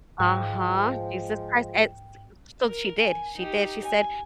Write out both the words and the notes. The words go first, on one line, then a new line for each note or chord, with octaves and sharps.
Uh-huh. Jesus Christ, a s uh, so she did, she did, she said
G#2 F3 G#3 G5
A#4
G#5
D#4 G4
G#5